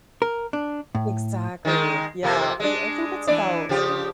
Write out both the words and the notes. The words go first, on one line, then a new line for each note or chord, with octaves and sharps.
Exactly, yeah, I I think it's about
A#4
D4
A2
D#3 G#3
F2 C3 A#3
G#3 D4
E3 D4 D5
C#3 F3 G4